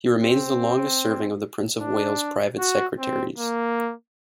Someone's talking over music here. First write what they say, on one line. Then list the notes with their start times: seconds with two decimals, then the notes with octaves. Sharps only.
He remains the longest serving of the Prince of Wales Private Secretaries.
0.21 C4
1.80 D4
2.59 F#4
2.99 C4
3.38 A#3